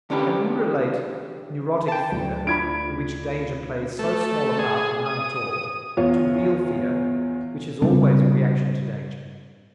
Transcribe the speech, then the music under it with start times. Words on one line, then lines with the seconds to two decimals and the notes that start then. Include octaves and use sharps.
Can we relate neurotic fear, in which danger plays so small a part or none at all, to real fear, which is always a reaction to danger?
0.10 D3 E3 C#4 D4 G4 B4
1.88 G5 A5
2.12 D2 F#3
2.47 D4 E4 F4 B5 G#6 D7
3.99 A3
4.59 G#4
5.06 D#6
5.97 E2 F4 C#5
7.82 C#3 G3 C4 D4